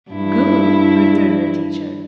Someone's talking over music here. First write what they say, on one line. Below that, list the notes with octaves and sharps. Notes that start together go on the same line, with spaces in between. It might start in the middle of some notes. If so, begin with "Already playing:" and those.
"Good!" returned the teacher.
G2 E4